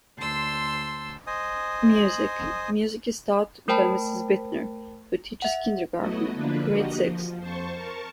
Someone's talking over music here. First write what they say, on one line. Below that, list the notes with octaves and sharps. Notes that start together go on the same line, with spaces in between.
Music: Music is taught by Mrs. Bittner, who teaches Kindergarten - Grade Six.
D2 C5 A5 C6 E6
C5 D#5 G#5 D#6
A3 A#4 C5 G5 A5 B5
E5 F#5
F#3 A3 B3 E4 F#4 D#5
D3 F3 A#3 D4 B4
A#3 F#4 G4 D#5
F3
F2 C5 A5 C#6
A#4 A5 C#6